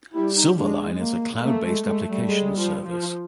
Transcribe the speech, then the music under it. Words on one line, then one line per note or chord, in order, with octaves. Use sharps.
Silverline is a cloud-based application service.
G3 E4
D#4
G#3 D4
A#3
A3 A#3
G#3
G#3 A3
G3
G#3
F3
F3